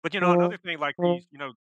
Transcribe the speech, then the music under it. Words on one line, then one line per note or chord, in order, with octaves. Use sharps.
But you know, another thing, like, these, you know
F3
F3